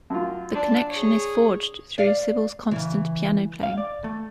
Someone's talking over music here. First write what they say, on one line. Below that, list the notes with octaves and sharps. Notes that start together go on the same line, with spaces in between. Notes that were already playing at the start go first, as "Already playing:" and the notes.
The connection is forged through Sybelle's constant piano playing.
F#2 F4
D4
G#4 C#5
D5 F5
C#3 E3
F5
D5
A3